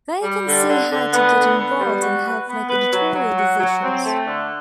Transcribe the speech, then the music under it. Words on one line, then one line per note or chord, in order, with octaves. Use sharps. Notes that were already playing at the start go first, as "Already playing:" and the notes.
They can see how to get involved and help make editorial decisions.
G3
D3
D3
D3
B3
D3
B3
G3
F#4
B4
B3
B4
F#3
F#3
F#4
F#3
C4
A3
D3